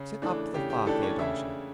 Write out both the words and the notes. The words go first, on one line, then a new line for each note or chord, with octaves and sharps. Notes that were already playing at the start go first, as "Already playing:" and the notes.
Sit up to the fire, Theodosia.
Already playing: C#3
E3 A3 D4
C#3 G4
G4
E3 A3 D4 A4
C#4 C#5
C#3 E4 E5